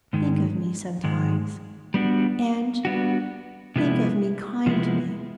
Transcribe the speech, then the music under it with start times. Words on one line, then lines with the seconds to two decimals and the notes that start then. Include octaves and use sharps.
Think of me sometimes--and think of me kindly.
0.13 G#2 D#3 G#3
1.04 G#2 D#3 G#3
1.94 G3 B3 D4 F#4
2.85 G3 B3 D4 F#4
3.76 C3 F3 G#3 B3 E4
4.66 C3 F3 G#3 B3 E4